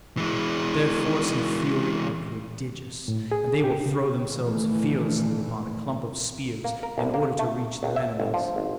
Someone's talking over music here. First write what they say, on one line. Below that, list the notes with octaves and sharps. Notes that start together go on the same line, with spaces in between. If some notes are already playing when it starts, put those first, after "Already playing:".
Their force and fury are prodigious, and they will throw themselves fearlessly upon a clump of spears in order to reach their enemies.
E3 G#3
A2
G#4
G4
C#3
A#2 D#3 E3 A3
A#3
A#4
C2
A#3
A3
C#2
E5
G1
F3
G#1